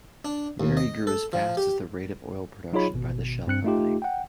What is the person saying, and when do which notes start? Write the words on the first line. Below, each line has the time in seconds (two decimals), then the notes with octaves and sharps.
Miri grew as fast as the rate of oil production by the Shell company.
0.25 D4
0.60 D#2
0.77 D#5
1.07 A4
1.33 F3
1.57 G4
2.73 F#3 D#4 F4 G#4 C#5 B5
2.94 G#1 B2
3.47 G2 C4 F#6 C#7
3.64 A3 D#4 F4 G4
4.02 F#5 G5